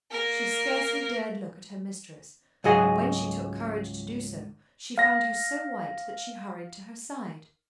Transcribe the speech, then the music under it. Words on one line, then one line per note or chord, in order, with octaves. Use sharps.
She scarcely dared look at her mistress, but when she took courage to do so, she found her so white that she hurried to her side.
A#3 A#4
C#2 G#2 F#3 G#4 D#5 F#5
F5 A#6